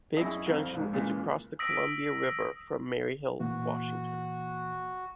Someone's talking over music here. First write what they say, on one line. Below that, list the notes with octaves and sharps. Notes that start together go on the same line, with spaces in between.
Biggs Junction is across the Columbia River from Maryhill, Washington.
F#2 E4 G#4 D#5
C2 F2 C5 F5
A#1 G#2
A#2 C#3 E3 G#3 A#3
D#6 E6 A#6 B6 D7
A#2 E3 A#3 F#4